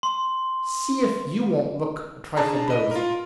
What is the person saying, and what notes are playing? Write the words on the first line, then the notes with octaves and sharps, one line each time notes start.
See if you won't look a trifle dozy.
C6
D4 G#4 A5 A#5
D#5 B5
F4 A#4